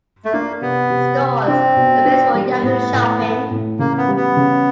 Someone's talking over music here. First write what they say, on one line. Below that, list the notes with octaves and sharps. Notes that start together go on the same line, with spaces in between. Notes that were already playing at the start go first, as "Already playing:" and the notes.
Stores, the base for Yahoo Shopping.
A3
A#3 D4
C3 B3
C3
C3
C4 D4
B2
D4
G3
A2 B3
A2
A3
A2
C#3 A#3
B3
G3
B3
C#3